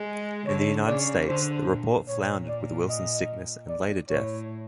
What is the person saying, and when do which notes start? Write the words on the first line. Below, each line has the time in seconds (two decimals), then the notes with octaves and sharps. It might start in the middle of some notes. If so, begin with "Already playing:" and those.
In the United States, the report floundered with Wilson's sickness and later death.
Already playing: G#3
0.47 D3 C#5
0.86 C#3 D5
1.27 D3 C5
1.68 A#2
2.08 A#2 C#5
2.48 D5
2.89 D#5
3.69 D5
4.09 A2 C#5